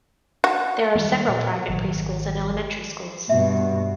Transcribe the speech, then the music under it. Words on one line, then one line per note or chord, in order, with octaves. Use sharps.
There are several private preschools and elementary schools.
F#4
D#3 G3 A#3
A#2
G#1 D#3 F#3
G2 B2 E5